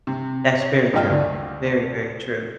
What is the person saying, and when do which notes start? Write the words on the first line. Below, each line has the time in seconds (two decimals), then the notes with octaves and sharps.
That's very true. Very, very true.
0.07 C3
0.60 C#5
0.93 A#1 G2 F4 D#5 G5 F6
1.10 D2 D3